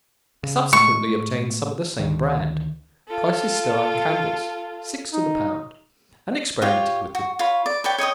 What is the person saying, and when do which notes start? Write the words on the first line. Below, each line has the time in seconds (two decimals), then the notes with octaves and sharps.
I subsequently obtained some of the same brand--Price's stearine candles, six to the pound--and experimented with them.
0.43 C#3
0.73 A2 G#3 A3 C#6
1.99 D2 D#3
3.08 F4 A4
5.13 D#4
6.62 F4 G4 C#5
7.15 F#4
7.39 F4 C#5 B5
7.66 D5
7.84 B4 C#5 D5 G5
7.98 C#5 D#5 G5 D#6